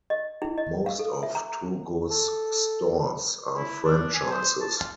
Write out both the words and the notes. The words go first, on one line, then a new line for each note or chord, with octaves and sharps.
Most of Togo's stores are franchises.
D#5
E4
D#5
F5
A4
E5
A#5
A4
E4
D4
G#5
C5
A5
F4